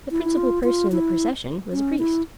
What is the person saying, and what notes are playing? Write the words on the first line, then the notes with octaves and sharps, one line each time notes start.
The principal person in the procession was a priest.
E4
F4
F4
E4
C#4
E4